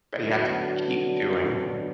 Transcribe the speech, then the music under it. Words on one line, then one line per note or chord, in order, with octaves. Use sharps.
That you have to keep doing.
D3 F#3 B3 D4 F#4